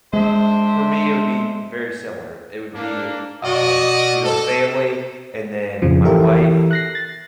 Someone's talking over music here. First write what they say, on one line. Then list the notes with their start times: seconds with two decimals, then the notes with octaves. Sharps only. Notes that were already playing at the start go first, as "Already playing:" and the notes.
For me, it would be very similar. It would be, um, you know, family, and then my wife.
0.13 G#3 D4 C5 E5
2.73 A#3 D4
3.44 B2 F#4 D5 D#5
4.25 A4
5.82 F2 A2 C#3 F3
6.05 E3 G4 A4 A#4 E5
6.71 F#6 A#6 C7
6.95 A6